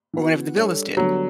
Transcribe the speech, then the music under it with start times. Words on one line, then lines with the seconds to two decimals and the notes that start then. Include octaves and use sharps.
or whenever the bill is due.
0.14 E3 B3 F#4
0.56 G3 D4 A4 C#5
0.97 D3 F#3 G3 B3